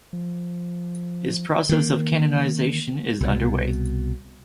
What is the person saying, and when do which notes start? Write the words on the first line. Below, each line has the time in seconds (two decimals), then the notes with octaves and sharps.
His process of canonization is underway.
0.13 F3
1.69 D#3 A#3
3.20 C2 B2